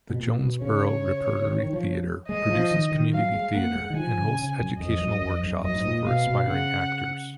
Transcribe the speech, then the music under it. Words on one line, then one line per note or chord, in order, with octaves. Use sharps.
The Jonesborough Repertory Theatre produces community theater and hosts educational workshops for aspiring actors.
B2
A#2
B2
C#3 C#5
D#3
D#3
F3
G#3 D#5
F3
D#3
D#3
F#3 F5
G#3
A#3 F#5
G#3
D#3
F3 G#5
C#3
C#3
F#2
F2 D#5
F#2
F2
F#2
F#2 D#5
G#2
A#2
B2 F5
B2
C#3 F#5